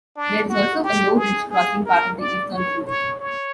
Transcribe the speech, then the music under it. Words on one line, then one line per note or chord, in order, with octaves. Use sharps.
There is also a low ridge crossing part of the eastern floor.
D4
F#4
G4
G#4
G#4
A#4
D5
C#5
C#5
C#5